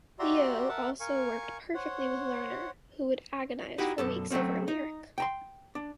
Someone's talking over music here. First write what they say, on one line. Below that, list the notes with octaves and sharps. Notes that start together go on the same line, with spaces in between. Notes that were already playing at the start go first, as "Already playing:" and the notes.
Loewe also worked perfectly with Lerner, who would agonize for weeks over a lyric.
F#4 G4 D5 E5 A#5 C6
A#4 E5 F#5 A5
A#4 F5 G#5 C#6
C5 C#5 F#5
D#4 E4 F#4 G4
B1 F#2 A4
F#3 A3 A#3 C4 C#4
D#4
G5 A#5 C6
D4